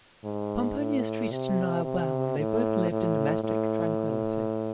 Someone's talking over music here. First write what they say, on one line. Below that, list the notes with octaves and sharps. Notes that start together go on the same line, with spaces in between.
Pomponius treated Annia well and they both lived in domestic tranquility.
G#2
A2
C3
C3
A2
A2
A2